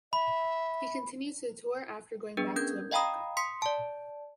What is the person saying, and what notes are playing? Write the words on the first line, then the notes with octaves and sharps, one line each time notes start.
He continued to tour after going back to America.
E5 B5
B3 D4 G#4 B4
C#4 A#4 G6 G#6
D#5 F5 G5 A#5 B5 D#6
C6 D#6 B6 C#7
D5 A5